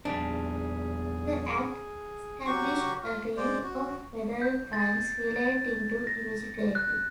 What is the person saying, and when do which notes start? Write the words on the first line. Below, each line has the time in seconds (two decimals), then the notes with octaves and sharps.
The Act established a range of federal crimes relating to immigration.
0.05 E2 A#2 F3 G3 D4 G#4
2.46 F#3 F#4 G4 C#6
3.02 F4
3.37 G#3 C5 D5
3.63 F#4
4.42 G6
4.73 A6
5.36 A6
6.07 A#6
6.75 F#6